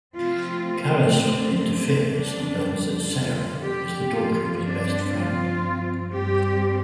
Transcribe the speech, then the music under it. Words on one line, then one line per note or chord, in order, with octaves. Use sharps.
Carrisford interferes and learns that Sara is the daughter of his best friend.
C3 F3 A3 C4 F4
D4
F2 D3 G3 D4
F4
G4
G2 F3 C4 F4
D4
F4
G2 G3 C4 G4